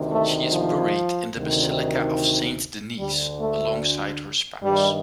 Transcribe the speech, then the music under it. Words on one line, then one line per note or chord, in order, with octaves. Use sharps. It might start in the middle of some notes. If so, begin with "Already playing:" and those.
She is buried in the basilica of Saint-Denis alongside her spouse.
Already playing: D2 C3 D#3
A3
F3
D2 C3 D#3
D2 D3 G3
A3
G2 D#3 G3